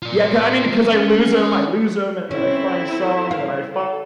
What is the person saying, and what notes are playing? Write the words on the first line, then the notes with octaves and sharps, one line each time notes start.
Yeah, 'ca I mean, 'cause I lose 'em I lose 'em, and then I find some, and then I fi
F4 D5
G#3 A#3
C#4
C4 C#4 E4 A4
F5
A4